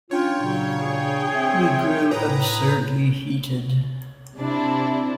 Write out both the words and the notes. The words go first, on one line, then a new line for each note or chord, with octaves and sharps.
We grew absurdly heated.
C#4 D4 F4 C#5 G5
A#2 C#3 F#3 G5
G#4 G5
C4 E5
A2 B4 C#5 A#5 D#6
C3 D4 E4